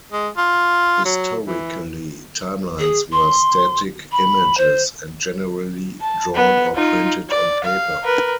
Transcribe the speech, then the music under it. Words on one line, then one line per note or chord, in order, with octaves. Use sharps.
Historically, timelines were static images, and generally drawn or printed on paper.
G#3
F4
F#3
E3
G#4
C6
B5
C5
A5
B3
D#4 F4
D5
F5
A#4 B4